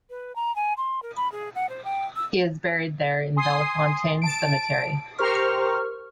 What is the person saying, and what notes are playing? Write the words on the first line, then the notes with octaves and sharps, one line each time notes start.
He is buried there in Bellefontaine Cemetery.
B4
A#5
G#5
C6
A#4
B5
G#4
F#5
C5
G5
E6
G#5 C6 D#6 C7
A5 D7
G4 A#4 C5 C#6 F6